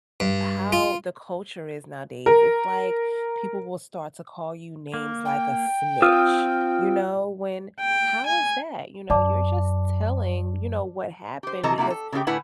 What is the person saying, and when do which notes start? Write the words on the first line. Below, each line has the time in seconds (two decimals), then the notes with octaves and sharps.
how the culture is nowadays. It's like people will start to call you names like a snitch, you know? When how is that? You know, you're just telling, you know, what happened because
0.20 G2
0.72 F4
2.26 A#4
4.94 A#3
5.25 G5
6.02 C4 F4 D#6 E6
7.80 G5
8.27 G#5
9.10 F#2 D5 A5 D6
11.43 G4 C5
11.63 C3 E3 A4 D#5 A5 A#5
11.78 C3 A#3 E4 F#4
11.90 A4
12.12 C#3 A3 C#4 E4 G4 G5
12.27 A2 D3 E4 B4 F#5 G#5